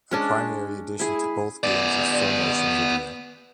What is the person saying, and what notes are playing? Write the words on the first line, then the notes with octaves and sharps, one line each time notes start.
A primary addition to both games is full-motion video.
G#3 C#4 D4
E4 G#4
B3 D5